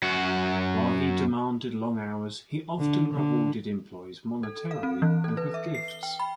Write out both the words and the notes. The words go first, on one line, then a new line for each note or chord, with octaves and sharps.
While he demanded long hours, he often rewarded employees monetarily and with gifts.
F#2 F#4
D3
D3
A4
F5
C4
E3
A4
B4
E5
C7
G7
G5
B5